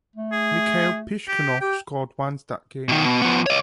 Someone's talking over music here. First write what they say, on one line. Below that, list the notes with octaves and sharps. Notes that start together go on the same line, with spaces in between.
Mikhail Piskunov scored once that game.
A3
G#4
G4
G4 G5
B2 D#3
B2
F3 B3
C#5 D#5